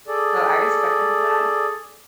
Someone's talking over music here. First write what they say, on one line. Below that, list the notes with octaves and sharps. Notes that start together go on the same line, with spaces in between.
So, I respect them for that,
G#4 A4 D5